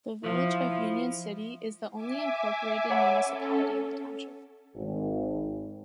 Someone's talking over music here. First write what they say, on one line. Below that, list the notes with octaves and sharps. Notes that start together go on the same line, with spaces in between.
The village of Union City is the only incorporated municipality in the township.
F3 E4
E5 G#5 D6
C#5 F#5 B5
C#4 A4
G#1